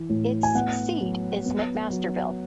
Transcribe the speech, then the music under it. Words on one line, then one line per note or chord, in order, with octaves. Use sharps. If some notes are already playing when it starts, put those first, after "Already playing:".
Its seat is McMasterville.
Already playing: E3
A2
G#5
B3 F#5
F#3
B3
F#3